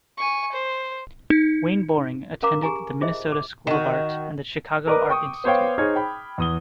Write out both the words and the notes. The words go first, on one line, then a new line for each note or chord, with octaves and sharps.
Wayne Boring attended the Minnesota School of Art and the Chicago Art Institute.
G#5 C#6
C5
D#4
C#4 A#4 F5 A#5 D6
G4 G#4 G#5 A#5
F4 G#4 C5 D#5 E5
D6
D#3 F#4
A#4 B4 D5 D#5 D6
G5 C#6 D#6
B3 C5 C#5 F5 G5
D#4 G#4 C5 C#5 F6 G#6
G5 B5
E2 D#6 G7